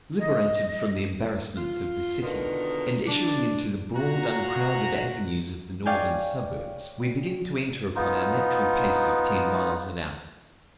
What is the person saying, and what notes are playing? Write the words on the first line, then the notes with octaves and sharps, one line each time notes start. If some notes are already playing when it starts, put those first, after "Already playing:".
Liberated from the embarrassments of the city, and issuing into the broad uncrowded avenues of the northern suburbs, we begin to enter upon our natural pace of ten miles an hour.
D#5
F4
B2 D3 D#3 D#4 F4 A#4
D4
A#2 F#4 A#5
C#5 D5 F5 G5 G#5
B3 D#4 F4